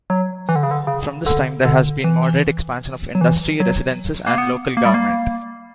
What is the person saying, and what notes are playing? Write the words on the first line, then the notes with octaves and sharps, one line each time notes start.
From this time there has been moderate expansion of industry, residences, and local government.
F#3
E3
D3
C#3
D3
C#3
D3
D3
E3
F#3
E3
F#3
A#3
B3
A#3
G3
A#3